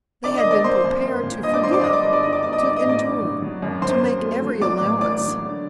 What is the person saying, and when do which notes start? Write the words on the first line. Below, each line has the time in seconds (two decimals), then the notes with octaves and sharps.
They had been prepared to forgive, to endure, to make every allowance.
0.24 D3 D5 D6
0.37 D#5 D#6
0.44 A#3
0.51 D5 D6
0.64 A#3 C5 C6
0.84 F#2
1.04 A#3
1.23 A#2
1.43 G2 D#5 D#6
1.53 D5 D6
1.63 F#3 C5 C6
1.73 D5 D6
1.83 G2 D#5 D#6
1.93 D5 D6
2.03 G1 D#5 D#6
2.13 D5 D6
2.23 D#3 D#5 D#6
2.33 D5 D6
2.43 F#1 D5 D6
2.52 D#5 D#6
2.63 G2 D5 D6
2.76 D#5 D#6
2.83 A1
2.89 D5 D6
3.03 G2
3.22 F#3
3.42 F#3
3.62 F#2
3.82 F#3 C5 C6
4.02 A#3
4.22 A3
4.42 F#3
4.61 F#3 D5 D6
4.81 A1
5.01 A#3 D5 D6
5.21 F#3
5.42 D3